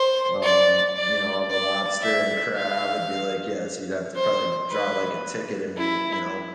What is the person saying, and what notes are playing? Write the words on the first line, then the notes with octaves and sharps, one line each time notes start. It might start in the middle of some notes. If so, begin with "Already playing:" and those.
um, you know, all the lobster and crab. It'd be like, yeah, so you'd have to probably draw, like, a ticket and be w you know,
Already playing: C5
D5
D5
D5
E5
F5
C5
B4
E4